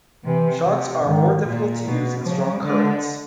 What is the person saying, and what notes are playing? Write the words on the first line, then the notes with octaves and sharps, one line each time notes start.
Shots are more difficult to use in strong currents.
C3 E3
C3
G#2 D#3
A#2
B2
C#3 F3
F#3
G3
D3 G#3